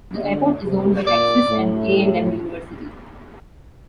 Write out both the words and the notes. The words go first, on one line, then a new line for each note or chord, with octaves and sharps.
The airport is owned by Texas A and M University.
D3
C3
A#2 D5
A2